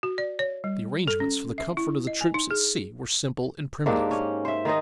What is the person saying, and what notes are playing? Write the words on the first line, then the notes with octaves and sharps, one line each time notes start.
The arrangements for the comfort of the troops at sea were simple and primitive.
F#4
D5
C#5
G3
A4
C#4
E5
E4
D#5
G#5
D#4
G#4
G#2 A#3 D4 G4
C#4
C5 E5
D#3 D#4 C5 D#5